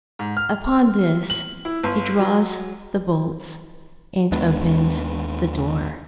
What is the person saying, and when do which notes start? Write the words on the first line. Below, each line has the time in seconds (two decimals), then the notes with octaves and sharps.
Upon this he draws the bolts and opens the door.
0.19 G#2
0.37 F6
1.30 F#7
1.65 E4
1.83 G1
2.19 F#3
4.32 D#2 G#3 B3 D4